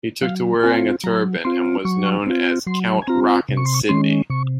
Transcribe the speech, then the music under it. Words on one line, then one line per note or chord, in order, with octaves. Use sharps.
He took to wearing a turban and was known as "Count Rockin' Sidney".
F#3 F5
C4 F4 G#5
F#3 A#5
C4 F4 C6
F#3 C#6
C4 F4
F#3 C6
G#5
C4 F4 A#5
C3
C#6
C6
C#6
D#3 G#3 C#4 C6
C3 C#6